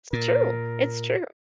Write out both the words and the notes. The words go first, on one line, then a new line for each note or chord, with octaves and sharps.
It's true, it's true.
A#2 A#4